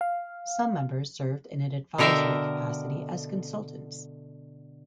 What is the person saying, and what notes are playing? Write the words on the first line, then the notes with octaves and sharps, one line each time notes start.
Some members served in an advisory capacity as consultants.
F5
B2 D3 A#4 E5 F5 G5